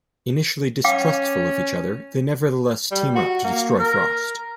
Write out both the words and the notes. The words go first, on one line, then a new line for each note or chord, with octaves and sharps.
Initially distrustful of each other, they nevertheless team up to destroy Frost.
C#4 F5 G5 D6
G3
F#4
A#3
A#4